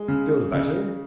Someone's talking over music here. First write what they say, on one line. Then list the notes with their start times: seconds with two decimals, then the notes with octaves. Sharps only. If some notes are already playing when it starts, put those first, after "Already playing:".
Feel better.
Already playing: G#3
0.08 C#3
0.54 C#3